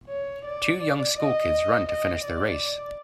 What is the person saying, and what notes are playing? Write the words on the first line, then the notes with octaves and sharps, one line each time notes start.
Two young school kids run to finish their race.
C#5
D5
D#5
D#5
D5